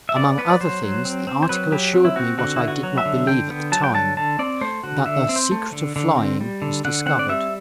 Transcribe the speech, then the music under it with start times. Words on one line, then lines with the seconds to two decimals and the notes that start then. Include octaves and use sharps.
Among other things, the article assured me what I did not believe at the time, that the "Secret of Flying," was discovered.
0.09 E5
0.16 B3 D5
0.38 B3 B4
0.50 D5
0.61 F#3 C5
0.83 F#3
1.05 C4
1.27 C4
1.43 C5
1.49 F#3 B4
1.72 F#3 G4
1.94 C4
2.05 E4
2.16 C4 F#4
2.38 D3 F#4
2.56 B3 E4
2.68 F#4
2.83 F#3
2.98 E5
3.06 D3
3.27 D3 G5
3.50 B3
3.72 F#3 A5
3.84 G5
3.95 D3 A5
4.17 D3 A5
4.39 C4 D5
4.61 A3 C5
4.84 D3 F#4
5.06 D3 E5
5.29 C4
5.36 C5
5.51 A3
5.73 D3
5.96 D3
6.17 C4
6.40 G3
6.62 D3
6.85 D3 F#5
7.06 C4 F#5
7.19 D5
7.29 G3 E5